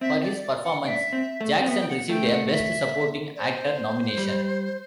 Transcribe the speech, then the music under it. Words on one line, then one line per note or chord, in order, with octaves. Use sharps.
For his performance, Jackson received a Best Supporting Actor nomination.
C4 E5
D5
D5
F#5
D4 E5 F#5
C4
A3
C4
B3 E5
G5
F#5
A3 G5
F#5
E5
D5
C5
G3